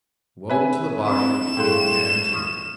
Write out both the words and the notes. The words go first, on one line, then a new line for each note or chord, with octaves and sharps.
Woe to the body that became jammed here!
C4 B4 C#5 E5 G#5
C4 D4 E7
A2 G#4 A4 F5 G5 C6
C#6 D#6 F6